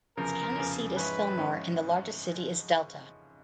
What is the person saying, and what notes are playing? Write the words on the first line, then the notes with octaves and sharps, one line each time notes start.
Its county seat is Fillmore, and the largest city is Delta.
F1 E2 C#3 F3 A#4
F1 E2 C#3 F3
G#2 F3 G#3 C#4 E4 B4
G#2 F3 G#3 C#4 E4